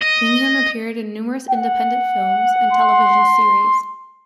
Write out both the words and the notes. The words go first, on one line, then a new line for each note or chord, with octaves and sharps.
Bigham appeared in numerous independent films and television series.
D#5
F#5
C6